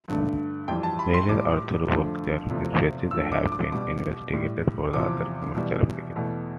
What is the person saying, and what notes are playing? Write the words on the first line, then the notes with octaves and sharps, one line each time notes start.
Various "Arthrobacter" species have been investigated for other commercial applications.
G2 D3 A3
F2 E3 G3 G5
A5
B5
C6
A2 G3 D6
F2 D3 F3 A3
E2 C3 F3 A3
G2 F3 A3 E6
D6
D6
B2 G3 D6
A2 G3
E2 C3 F3 D6
E2 B2 G3
E2 B2 A3